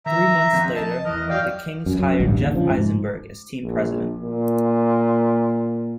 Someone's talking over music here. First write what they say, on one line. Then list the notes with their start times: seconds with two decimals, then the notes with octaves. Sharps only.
Three months later, the Kings hired Jeff Eisenberg as team president.
0.06 D#3 E5 A#5
0.52 D3 F3 C4
0.76 D#5 A5
1.05 E2 E3 A#4 D#5
1.30 F#2 F#4 D5 F5 G5
1.86 F#2
1.99 F#2
2.20 A1 D2 G2
2.40 D#2 D3
2.53 C#3 F3
2.70 G#2
3.63 A#1
4.23 A#2